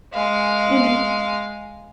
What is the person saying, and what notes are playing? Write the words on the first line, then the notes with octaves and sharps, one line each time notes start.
In, eh
G#3 F5